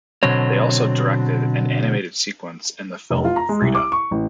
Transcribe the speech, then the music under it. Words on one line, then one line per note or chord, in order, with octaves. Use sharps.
They also directed an animated sequence in the film Frida.
B2 D3 F#3 C4 C#5
F1
F4
A#5
G#3
C2
D6
C#6
A1